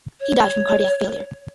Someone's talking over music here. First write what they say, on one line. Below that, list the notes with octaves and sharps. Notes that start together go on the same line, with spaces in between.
He died from a cardiac failure.
C#5